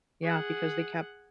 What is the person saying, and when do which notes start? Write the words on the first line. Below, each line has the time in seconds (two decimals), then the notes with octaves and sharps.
Yeah, because they kept
0.23 G#4 F#5